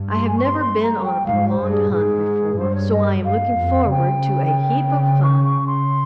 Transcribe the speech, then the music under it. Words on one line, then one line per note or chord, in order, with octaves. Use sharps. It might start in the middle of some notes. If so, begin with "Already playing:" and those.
I have never been on a prolonged hunt before, so I am looking forward to a heap of fun.
Already playing: G2
C6
G#5
C#6
C6
C6
A#5
G5
G#2 F5
C5
G2
G#4
G#2 G#4
G2 C5
C#5
D#5
G2 F5
F2
C#3 G5
C#3
C#6
C#6
C6